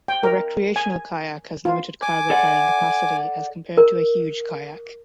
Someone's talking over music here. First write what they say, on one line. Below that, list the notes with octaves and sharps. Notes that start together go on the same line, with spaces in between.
A recreational kayak has limited cargo carrying capacity as compared to a huge kayak.
G5
A#4
G#5
F4
G#5 D6
A4 D5 F#5
A#4